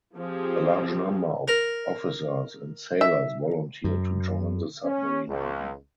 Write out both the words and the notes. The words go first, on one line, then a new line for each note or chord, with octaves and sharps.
A large number of officers and sailors volunteered to join the submarine arm.
F3 C4 G4 G#4
A#4
E5
F#2
C#4
C#2